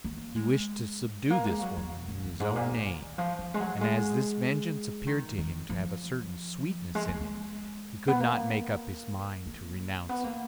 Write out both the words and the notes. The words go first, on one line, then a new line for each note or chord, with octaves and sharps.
He wished to subdue this woman in his own name; and as this vengeance appeared to him to have a certain sweetness in it, he could not make up his mind to renounce it.
A#3
G#3
A#3
G#3
F#3
F#3
B2
F#2
F#2
G#2
A#2
A#2
D3
D#3
F3
F3
G#3
F#3
G#3
D#3
D#3
F3
G#3
A#3
G#3
B3
A#3
A#3
B3
A#3